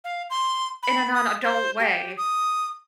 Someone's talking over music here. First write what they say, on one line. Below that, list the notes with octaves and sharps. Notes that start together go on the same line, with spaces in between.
in a non-adult way,
F5
C6
B5
D#6
C5
G4
D#6